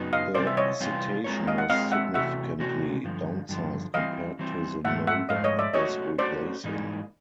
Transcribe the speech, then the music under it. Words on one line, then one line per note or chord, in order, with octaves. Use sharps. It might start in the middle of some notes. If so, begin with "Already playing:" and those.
The Citation was significantly downsized compared to the Nova it was replacing.
Already playing: F#2 C#3 F#3 B3 D#4
D#5 F5
C3 E3 G3 C4 F4 C5 D5
E5
C#5 D#5
C3 E3 G3 C4 F4
G#3 C4 F4 A#4 C#5
D#5 F5
F#5
G#3 C4 F4 A#4 C#5 D#5 F5
E5 F#5
C3 E3 A3 C#4 F#4 E5 F#5
C3 E3 A3 C#4 F#4
G2 D3 F3
G2 D3 F3
E3 G3 C4 D#5 F5
E3 G3 C4
G#2 F3 A3 E5 F#5
E5 F#5
G#2 F3 A3 D#5 F5
C#5 D#5
D5 E5
A3 C#4 F#4 C#5 D#5
A3 C#4 F#4 C5 D5
G#2 E3 G3 A#3 D#4